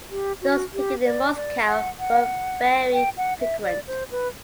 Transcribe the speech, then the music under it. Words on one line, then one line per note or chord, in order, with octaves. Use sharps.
Those taken in Moscow were very frequent.
G4
F#4
G4
D5
D5
F#5
F#5
G5
F#5
E5
D5
C5
B4